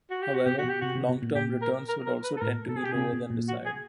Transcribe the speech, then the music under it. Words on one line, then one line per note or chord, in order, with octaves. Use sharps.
However, long-term returns would also tend to be lower than desired.
F#4
G4
F#4
B2 G4
F#4
B2
G4
C3 F#4
C3
B2
A#2
A#2 G4
A#4
A#4
A#4
B4
A4
A2 A#4
B2 A4
G#4
G4
C3 G#4
B2
A#2
F#4
G#4